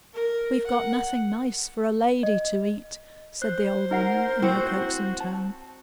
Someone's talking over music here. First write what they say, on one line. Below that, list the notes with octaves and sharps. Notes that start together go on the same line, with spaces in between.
"We've got nothing nice for a lady to eat," said the old woman, in her coaxing tone.
A#4
F#5
D#5
C5 F#6
D#4 A#4 F#5 C7
C4 E4 F#4 C#7
A5